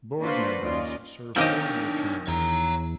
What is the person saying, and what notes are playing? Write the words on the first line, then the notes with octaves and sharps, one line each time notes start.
Board members serve four-year terms.
A#3 D4 F4 F#4 B4 C5
D#2 C#4 F4 D5 D#5
B1 D#3 F3 D4 G4 C#5 D#5
E2 C#5 A#5